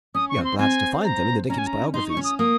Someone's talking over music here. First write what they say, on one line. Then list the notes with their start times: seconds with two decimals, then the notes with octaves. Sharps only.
We are glad to find them in the Dickens biographies.
0.15 C#4 D#6
0.29 C#6
0.37 C4
0.44 C6
0.59 C4 G#5
1.04 A#5
1.49 C#4 A#5
1.58 G#5
1.67 A#5
1.94 D#4 C6
2.09 C#6
2.17 C#4
2.24 D#6
2.39 A#3 D#6